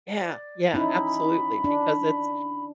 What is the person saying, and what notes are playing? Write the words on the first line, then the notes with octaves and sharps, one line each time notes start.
Yeah yeah, absolutely, because it's
D5
C#4 D#4 E4 B5
D4